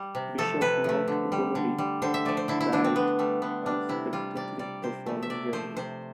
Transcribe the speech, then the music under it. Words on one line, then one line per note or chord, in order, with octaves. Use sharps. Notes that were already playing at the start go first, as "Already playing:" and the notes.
Bishop Montgomery died unexpectedly the following January.
Already playing: G3
C3
F3 A3 A4
C3 B4
F3 A3
D3
G3
D3
G3
D3 C5
E5
F3 A3 D5
C5
D3 E4
E4
F3 A3 D4
C4
D3 B3
G3 A3
D3 B3
G3 D4
C3 E4
G3 F4
C3 D5
G3 D5
C3 C5
F3 A3
E5
C3 D5
F3 A3 C5
C3 C5